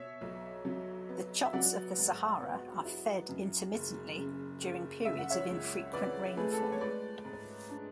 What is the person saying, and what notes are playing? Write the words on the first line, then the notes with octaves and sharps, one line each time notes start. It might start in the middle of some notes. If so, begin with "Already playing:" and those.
The chotts of the Sahara are fed intermittently during periods of infrequent rainfall.
Already playing: B2 C#5 E5
B1
F#3
B3
E5
F#3 D5 F#5
G#2
B3
E4
F#2
F#1
C#3
F#1
C#3 E5
F#5
C#5 E5
C#2
E3 B4 D5
A3 G#4 B4
A4
B4
C#5
G#3 B4 D5
G#2
D4